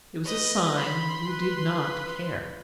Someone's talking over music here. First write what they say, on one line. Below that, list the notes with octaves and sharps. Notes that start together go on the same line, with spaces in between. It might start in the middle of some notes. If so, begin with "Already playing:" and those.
It was a sign that he did not care.
B4 D#5
B5 C6
B4